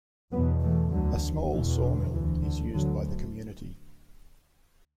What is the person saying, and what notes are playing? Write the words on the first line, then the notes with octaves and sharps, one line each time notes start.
A small sawmill is used by the community.
E2 B2 F#3 B3
E3 A3
D2 D3 F#3
E2 B2 E3
D3
D2 E3
D3
D2 D3 F#3